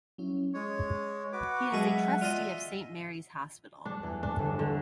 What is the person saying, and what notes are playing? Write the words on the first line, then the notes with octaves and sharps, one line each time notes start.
He is a Trustee of Saint Mary's Hospital.
F#3 C#4 E4
G#3 C#5 C#6 D#6
F#4 B4 F#5 D6
B2 F#3 G#3 G#4 E5
F4 D5 D#5 G#5
G3 D4
E2
D4
G1 G3 E7
D3